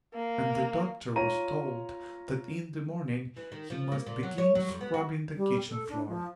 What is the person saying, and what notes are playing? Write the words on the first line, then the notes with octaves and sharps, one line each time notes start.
And the Doctor was told that in the morning he must begin scrubbing the kitchen-floor.
A#3
F4 C#5 A#5 D#7
E3
D#3
F3
A#3
A#2
F#3
C#5
F#3
F2
B3
F#4
G3
A4
D4
F3